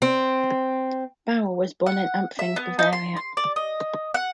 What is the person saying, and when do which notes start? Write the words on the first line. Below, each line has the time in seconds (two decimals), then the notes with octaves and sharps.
Baur was born in Ampfing, Bavaria.
0.02 C4
1.86 F#5
2.39 E5
2.56 B3
2.79 D#4
2.93 C6
3.17 C6
3.37 D5
3.56 D#5
4.14 F#5